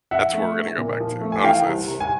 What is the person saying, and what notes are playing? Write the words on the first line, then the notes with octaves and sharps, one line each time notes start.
That's where we're gonna go back to, honestly, that's
F3 E5 F#5
A3
A#1
A#2
F3
A3
G#5
E3 F5 G5
C2
C2
G#5